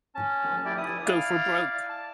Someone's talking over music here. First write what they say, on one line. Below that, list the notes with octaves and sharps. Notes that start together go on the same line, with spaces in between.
Go for Broke!
C#4 A5
E4 G4 D5
E4 D#6
E4 D5 F5 F6
A5